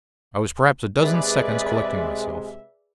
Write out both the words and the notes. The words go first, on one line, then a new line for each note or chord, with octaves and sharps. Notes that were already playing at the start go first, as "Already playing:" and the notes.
I was perhaps a dozen seconds collecting myself.
C3 G#3 G#4 B4 D5 E5